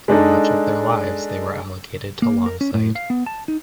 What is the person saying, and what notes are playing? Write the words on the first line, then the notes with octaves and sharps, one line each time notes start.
For much of their lives they were allocated to Longsight.
G#3 D4 D#4 A4
A#3
A#4
C#4
A2
F5
B3
A5
D#4